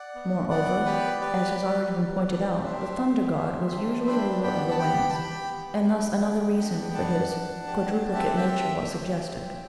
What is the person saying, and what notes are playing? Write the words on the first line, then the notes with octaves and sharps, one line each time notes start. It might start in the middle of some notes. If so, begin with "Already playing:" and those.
Moreover, as has already been pointed out, the thunder god was usually ruler of the winds, and thus another reason for his quadruplicate nature was suggested.
Already playing: D5 F#5
B3
B3 D5 F#5
G4 B4 D5
G4 B4 D5
G4
B3
D4
G4 C5 E5
B3
G4
D4
D4 G5 B5
B3 G5 B5
A5
G4 G5 B5
A5
G4 G5 B5
B3
D4
B3
D4
B5
D4 F#5 A5
D4
G4
C4
E5
F#5
C4 E5 G5
G4
C4
G4